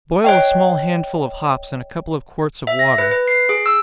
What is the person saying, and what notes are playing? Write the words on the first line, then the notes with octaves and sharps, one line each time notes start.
Boil a small handful of hops in a couple of quarts of water.
C#5 D#5 G5
E5
A#6
B4
B4
C7
G#4
E6